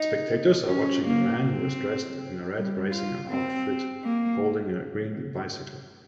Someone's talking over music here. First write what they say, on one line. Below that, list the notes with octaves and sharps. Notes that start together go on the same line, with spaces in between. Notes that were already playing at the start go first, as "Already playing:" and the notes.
Spectators are watching a man who is dressed in a red racing outfit holding a green bicycle.
Already playing: D#4
C#4
A#3
C4
G3
F4
C4
A#3